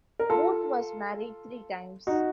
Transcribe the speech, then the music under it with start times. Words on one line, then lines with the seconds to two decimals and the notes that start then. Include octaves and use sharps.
Booth was married three times.
0.19 A#4
0.30 F4 A4
2.07 D#4 F#4